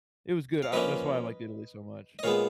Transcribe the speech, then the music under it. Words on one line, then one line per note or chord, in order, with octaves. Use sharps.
it was good. I that's why I liked Italy so much,
F5
F3 A#3 C#4 B4 D#5
D#5
A#2 G#3 B3 C#5 F5